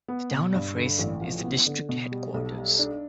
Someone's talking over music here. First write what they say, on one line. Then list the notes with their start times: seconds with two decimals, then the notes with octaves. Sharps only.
The town of Raisen is the district headquarters.
0.08 B3
0.31 B2
0.54 G2
0.76 D3
0.99 A1
1.21 F3
1.43 B3
1.66 D3
1.89 B2
2.12 G3
2.34 B1
2.57 G3
2.79 D4